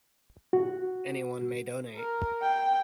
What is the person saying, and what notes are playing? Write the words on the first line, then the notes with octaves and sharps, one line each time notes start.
Anyone may donate.
F#4
A#4
G5